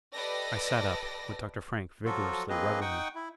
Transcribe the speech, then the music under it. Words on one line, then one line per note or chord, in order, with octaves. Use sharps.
I sat up, with Dr. Frank vigorously rubbing me.
G4 A4 B4 D5 D#5 A#6
F3 F#3 F4 F#4 A4
F3 A#3 C4 G#4 B4 D#5
D#4 F#5 G5 C#6 D#6
E4